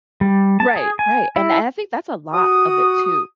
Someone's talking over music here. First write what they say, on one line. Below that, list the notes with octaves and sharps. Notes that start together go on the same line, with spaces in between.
Right. Right. And I I think that's a lot of it too
G3
A5
G#4
G#5
E4
F#4 D#6